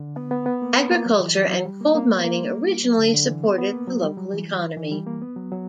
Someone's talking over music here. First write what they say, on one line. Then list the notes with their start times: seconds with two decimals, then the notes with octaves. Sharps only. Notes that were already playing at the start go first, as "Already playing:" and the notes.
Agriculture and coal mining originally supported the local economy.
Already playing: D3
0.16 B3
0.31 B3
0.46 B3
0.62 A#3
0.76 B3
0.91 A#3
1.06 F#3
1.20 E3
1.36 F#3
1.50 F#3
1.65 G3
1.81 A#3
1.95 A#3
2.10 B3
2.24 A#3
2.40 G3
2.84 F#3
2.98 D3
3.14 D3
3.28 E3
3.44 B3
3.58 B3
3.73 A#3
3.88 F#3
4.03 G3
4.17 F#3
4.33 E3
4.77 E3
4.91 G3
5.06 A#3
5.22 B3
5.36 F#3
5.52 F#3